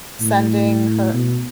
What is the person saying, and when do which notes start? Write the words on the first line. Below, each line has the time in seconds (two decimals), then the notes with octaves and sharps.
sending her
0.21 A2
1.14 B2